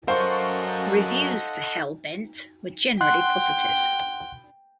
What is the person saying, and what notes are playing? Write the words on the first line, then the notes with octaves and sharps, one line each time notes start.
Reviews for "Hellbent" were generally positive.
F#3 A4 A#4 C5 D#5 F5 F#5 C#6
F#5 G5 C6 F#6